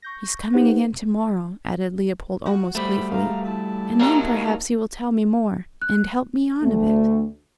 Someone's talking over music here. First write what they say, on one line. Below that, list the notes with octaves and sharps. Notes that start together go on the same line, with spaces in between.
"He's coming again to-morrow," added Leopold, almost gleefully, "and then perhaps he will tell me more, and help me on a bit!"
C#6 G6 A#6
D#4 G4 B4 C5 F#5
F#4
G3 A3 C5 B5
F5 A#5
E4 A5
C3 F#3 A#3 D#4
F#6
D2 A3